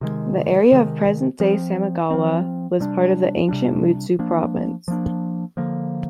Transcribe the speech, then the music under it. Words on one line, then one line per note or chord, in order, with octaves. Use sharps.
The area of present-day Samegawa was part of ancient Mutsu Province.
C3 D#3 G#3
C3 D#3 G#3
F3 C4
F3 C4
C3 G3 D4
C3 G3 D4
F3 A#3 D4
F3 A#3 D4
D3 F3 A#3